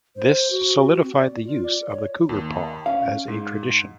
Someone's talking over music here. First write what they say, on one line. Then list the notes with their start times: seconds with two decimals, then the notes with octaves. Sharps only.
This solidified the use of the Cougar Paw as a tradition.
0.16 C5
0.51 F#4
1.03 C4
1.17 D5
1.44 F4
1.63 D5
1.91 C#5
2.29 D#2
2.86 C#4 F5
3.28 G#2